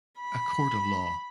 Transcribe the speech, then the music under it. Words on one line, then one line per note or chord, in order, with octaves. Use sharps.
A court of law.
B5